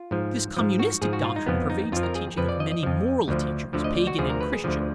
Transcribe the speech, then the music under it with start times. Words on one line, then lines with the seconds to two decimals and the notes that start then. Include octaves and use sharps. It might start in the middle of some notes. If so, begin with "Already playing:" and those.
This communistic doctrine pervades the teaching of many moral teachers, pagan and Christian.
Already playing: F4
0.11 G#2 F3
0.57 G#2 F3
0.79 F#4
1.02 G#2 F3 G#4
1.13 F#4
1.24 F4
1.36 D#4
1.46 F2 F3 B3
1.70 D#4
1.92 F2 F3 F4
2.03 A#4
2.15 G#4
2.37 F2 F3 B4
2.49 D5
2.60 D#5
2.71 D#5
2.83 F2 F3
3.28 D2 D3 F3
3.73 D2 D3 F3
3.84 D#5
3.95 D5
4.07 F#4
4.18 D2 D3 F3 G#4
4.30 A#4
4.41 B4
4.53 G#4
4.64 D2 D3 F3